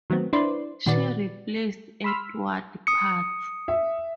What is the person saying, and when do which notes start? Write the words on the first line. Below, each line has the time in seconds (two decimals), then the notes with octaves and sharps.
She replaced Eduard Parts.
0.10 D#3 F#3 A3 B3 C4
0.33 D4 E4 B4 C5 D5 C6
0.86 A#2 D#3 F#4 B4 D5 A6
2.04 B5 C6 E6 F6 B6
2.87 D#6 C#7
3.68 E5